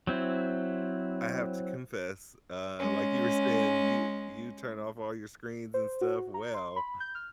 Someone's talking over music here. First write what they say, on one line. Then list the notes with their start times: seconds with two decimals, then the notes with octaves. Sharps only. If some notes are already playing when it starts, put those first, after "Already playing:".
I have to confess, uh like you were saying, you you turn off all your screens and stuff, well,
0.07 F#3 C4 E4
2.79 G#3 C#4
5.74 C5
6.01 F#4
6.34 A#5
6.54 C6
6.76 B5
7.00 G6
7.15 F6